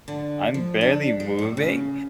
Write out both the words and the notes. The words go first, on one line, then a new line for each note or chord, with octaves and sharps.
I'm barely moving,
D3
F3
D4
G#3
A2
C#3